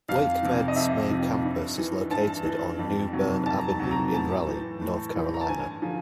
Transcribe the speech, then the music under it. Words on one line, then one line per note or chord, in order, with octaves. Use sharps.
WakeMed's main campus is located on New Bern Avenue in Raleigh, North Carolina.
F2 F5
C3 F3
D#5
F2 E5
C3 F3
G2
E3
G2 A5
E3
F2
C3 D#3 F#3
F2 A5
A#5
A5
C3 D#3 F#3
A#5
A2 A5
E3
A2
E3
A#5
A5
G2 G#5
D3 F3